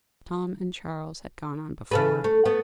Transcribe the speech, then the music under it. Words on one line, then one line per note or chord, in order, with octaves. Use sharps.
Tom and Charles had gone on before.
C#3 A4 B4
A3
A3 B3